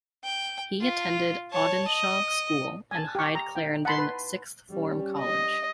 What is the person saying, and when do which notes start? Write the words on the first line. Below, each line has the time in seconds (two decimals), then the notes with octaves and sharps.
He attended Audenshaw School and Hyde Clarendon Sixth Form College.
0.24 G5
0.81 F4
1.51 C#5 A5
1.87 D#5
2.91 G#5 A5
3.15 G4 C#6
3.35 A#5
3.55 D#4 G5
3.85 F#5 A5 B5 C6
3.98 B4
4.70 G3 C#4
5.19 D#5